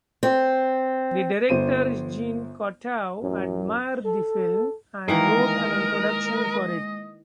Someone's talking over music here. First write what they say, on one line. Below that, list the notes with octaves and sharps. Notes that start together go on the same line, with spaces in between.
The director Jean Cocteau admired the film, and wrote an introduction for it.
C4
G1 C5 D#7
A1 F#2
A4
D#3 E3 G#3 A#3 A#4 D#5